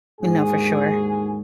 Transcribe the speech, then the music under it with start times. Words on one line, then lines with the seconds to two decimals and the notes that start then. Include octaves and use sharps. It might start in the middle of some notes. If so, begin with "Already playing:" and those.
You know, for sure.
0.21 D#2 G#2 D3 F#4 G#4 G#5